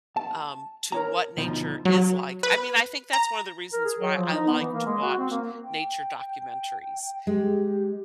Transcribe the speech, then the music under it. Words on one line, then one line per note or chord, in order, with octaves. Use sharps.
um, to what nature is like I mean, I think that's one of the reasons why I like to watch nature documentaries.
A5
A#4 C#5 A#5
D2 B2 F3 D#4 C5
F#3
B4
A#5
A#4
G#4
F#3
F3
D#4
B3
E3
A#3
G#3
F#4
C4
A#3
G5
G#3 G4